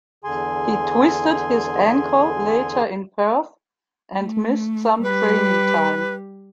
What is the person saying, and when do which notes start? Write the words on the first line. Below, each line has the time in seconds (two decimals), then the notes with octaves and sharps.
He twisted his ankle later in Perth and missed some training time.
0.24 E2 D3 G#4 G#5 C6
4.18 A3
5.03 G3 G4 B4